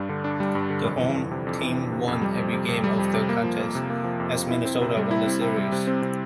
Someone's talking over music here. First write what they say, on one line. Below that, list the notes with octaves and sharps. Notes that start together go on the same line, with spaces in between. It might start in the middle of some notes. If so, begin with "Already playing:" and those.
The home team won every game of the contest, as Minnesota won the series.
Already playing: G2 G3 D4
D3
D4
G3
G2
D3
F2
E3
F2
C3
F2
E3
F2
C3
F2
G3
F2
C3
F2
G3
F2
C3
A#3
F3
F2
C3
A#3
F3
F2
C3
E4
C4
C3
G3
E4
C4
C3
G3
C3
C4
C3